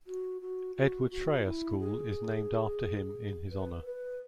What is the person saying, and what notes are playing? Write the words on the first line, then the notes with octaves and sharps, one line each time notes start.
Edward Schreyer School is named after him in his honour.
F#4
F#4
F#4
F#4
E4
G#4
B4
B4